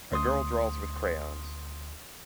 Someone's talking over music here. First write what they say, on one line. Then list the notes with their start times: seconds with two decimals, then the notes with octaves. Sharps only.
A girl draws with crayons.
0.12 D2 C6 D#6